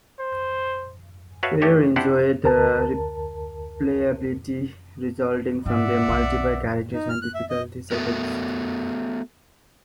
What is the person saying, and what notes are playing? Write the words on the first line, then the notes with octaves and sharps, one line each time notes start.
Frear enjoyed the replayability resulting from the multiple characters and difficulty settings.
C5
F#4 B4 C#5 E5 F5 A5
A3 D4 G4 C#5
D4 E4 G4 C5 F#5
D2 A#4 A5
G#2 E4 D5 E5 F#5
B1 D#3
D#4
F6
F#6
E5
D#5
A3 B3 F#4 A#4